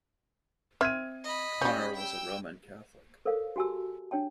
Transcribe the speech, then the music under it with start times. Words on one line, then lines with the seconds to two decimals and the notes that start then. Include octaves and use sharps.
Connor was a Roman Catholic.
0.81 C4 E5 F6 G#6 D#7
1.24 D#5 B5
1.61 G3 C#4 G6
1.95 G5 E6
3.25 A4 A#4 C5 C#5 F5
3.56 F#4 G4 G#5 A5 E6
4.11 D4 C#5 G5 A5